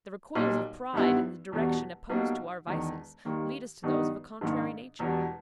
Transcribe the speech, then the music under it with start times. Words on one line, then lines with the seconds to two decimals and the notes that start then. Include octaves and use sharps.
The recoils of pride in the direction opposed to our vices lead us to those of a contrary nature.
0.35 B1 A#2 G3
0.93 G#1 G2 G3 B3 E4
1.51 E1 E2 B2 G3
2.10 B1 B2 G3 A#3
2.67 E1 E2 D#3
3.25 D#2 D#3 G3 A#3
3.83 G2 D#3 G3 B3 D#4
4.41 A#1 G#2 D#3 A#3
4.99 E1 E2 B2 G3